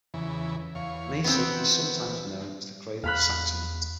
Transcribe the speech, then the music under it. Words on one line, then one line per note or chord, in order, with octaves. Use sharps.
Meissen is sometimes known as the "cradle of Saxony".
E2 C#3 E3
E2 C#5 F5
E3 B3 C4
E2 F5 B5 F#6